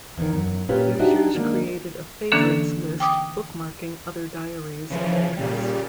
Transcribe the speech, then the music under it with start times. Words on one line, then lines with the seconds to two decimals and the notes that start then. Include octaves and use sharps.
Users created a "favorites" list bookmarking other diaries of interest.
0.18 E2 D#3
0.35 F#2
0.69 A#2 C#4 F4 G4 B4
0.99 D4 D#4 F#4 G4 D5 E5
1.35 D#3 G#3 A#3 D4
2.32 D3 E3 A#3 C#4 D4 A4
3.00 G5 D6 D#6
4.90 C#3 E3 F3
5.37 A#2 C#3 G3